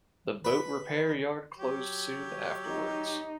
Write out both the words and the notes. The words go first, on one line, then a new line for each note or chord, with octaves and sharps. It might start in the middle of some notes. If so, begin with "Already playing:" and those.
The boat repair yard closed soon afterwards.
B4
F#3 G4 C#5
D#4